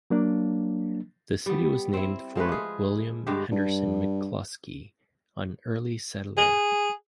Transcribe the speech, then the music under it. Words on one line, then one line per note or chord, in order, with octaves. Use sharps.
The city was named for William Henderson McClusky, an early settler.
F#3 A#3 D4
G3 B3
C4 E4
F3 G#3 A3 B4
F4 G#4
G2 D3 G#3 G4
G2
G#4